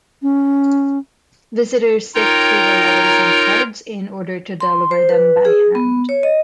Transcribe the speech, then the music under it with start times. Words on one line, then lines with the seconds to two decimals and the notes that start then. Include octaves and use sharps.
Visitors sift through the letters and cards in order to deliver them by hand.
0.22 C#4
2.15 D#4 F4 A#4 C#5 G5 A#5
4.60 C6
4.91 C5
5.09 B4
5.45 G#4
5.75 B3
6.09 C#5
6.23 D#5